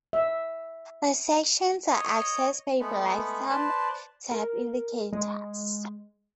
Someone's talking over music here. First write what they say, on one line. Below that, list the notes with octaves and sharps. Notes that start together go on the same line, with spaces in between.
The sections are accessed by black thumb tab indicators.
E5
C#5 D#5
G#3 A3 B3
B4 C5 D5 A5
A#4
G#3